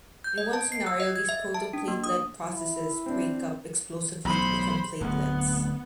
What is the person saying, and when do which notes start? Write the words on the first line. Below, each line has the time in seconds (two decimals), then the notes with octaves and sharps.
In one scenario, these proto-platelet processes break up explosively to become platelets.
0.24 G6
0.38 D#5
0.53 A5
0.72 C7
0.87 E6
1.00 D#5
1.16 G#6
1.29 E5
1.54 A5
1.73 D4
1.88 A#3
2.04 D#6
2.50 E4
3.06 C4 D4
4.25 B1 A2 C5 B5
5.01 D1 D2 B3